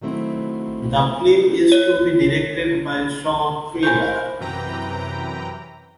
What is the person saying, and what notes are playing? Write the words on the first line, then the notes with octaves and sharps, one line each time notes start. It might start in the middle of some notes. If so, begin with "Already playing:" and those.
The film is to be directed by Shawn Piller.
D#3 F#3 A3 C4 E4
C#5
A#4 C5 C#5 G#5 A#5 B5 G6
F#2 C3 E3 B4 G5 A#5